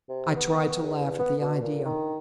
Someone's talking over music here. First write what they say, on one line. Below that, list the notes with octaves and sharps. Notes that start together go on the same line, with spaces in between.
I tried to laugh at the idea.
C3
B3
E2
B3
B2
A#2
D#3